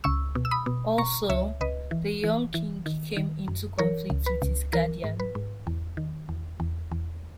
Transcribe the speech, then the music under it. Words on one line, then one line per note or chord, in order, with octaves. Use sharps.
Also the young king came into conflict with his guardian.
C#2 C#6 E6
B2
E6
B5 D#6
B2
B2 A#5 C#6
C#2 C#5 E5
C#2 B4 D#5
E3
E3
E3
D#3
D#3
F#2
E3 A#4 C#5
C#2
B4
C#2
E3 A#4
G#2
B4
G#2
E2
D#3
E2
E2
E2